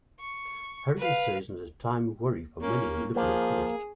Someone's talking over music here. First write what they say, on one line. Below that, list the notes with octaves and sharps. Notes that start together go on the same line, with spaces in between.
Hurricane season is a time of worry for many who live on the coast.
C#6
B4 F5
A#3 C#4
F3 A#3 G#4